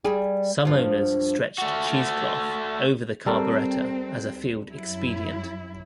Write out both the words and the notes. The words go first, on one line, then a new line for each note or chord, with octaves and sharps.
Some owners stretched cheesecloth over the carburettor as a field-expedient.
G3 G#4
G2 F3
A3 F#4
G3 C4 A4 A#4
F#2 E4